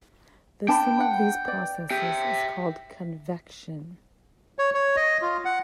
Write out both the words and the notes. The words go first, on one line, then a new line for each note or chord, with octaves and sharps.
The sum of these processes is called convection.
D4 G5 A5 B5
F#5
D5
G4 E5 G5
C#5
C#5
D#5
F4
F#5